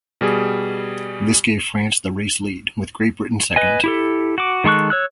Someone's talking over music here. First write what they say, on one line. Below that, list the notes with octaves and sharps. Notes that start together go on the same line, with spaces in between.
This gave France the race lead, with Great Britain second.
B2 G3 G#4
B4 D#5 G#5
E4 G4 A4
F#4 D6
D#3 G#3 A4 C#6 F#6
C#5 E6 F#6